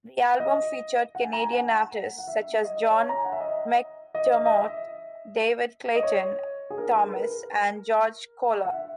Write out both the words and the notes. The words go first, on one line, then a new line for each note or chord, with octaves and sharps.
The album featured Canadian artists such as John McDermott, David Clayton-Thomas and George Koller.
D#5
F#5
G#5
A#5
G#5
F#5
F#5
E5
D#5
D#5
C#5
A#5
G#5
F#5
E5
D#5
D#5
D#5
D#5
E5
D#5
C#5
G#4
A#4
A#4
G#4
B4
A#4
F#5
E5